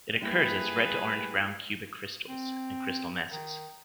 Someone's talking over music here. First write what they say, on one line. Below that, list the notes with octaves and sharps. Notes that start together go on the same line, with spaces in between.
It occurs as red to orange brown cubic crystals and crystal masses.
G3 A#3 E4 G#4 B4
C4
D#3